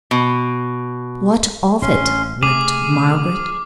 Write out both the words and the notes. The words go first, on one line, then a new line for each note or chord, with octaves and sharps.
"What of it!" wept Margaret.
B2
A1 C#4 C6
C3 A3 G#4 D6 F6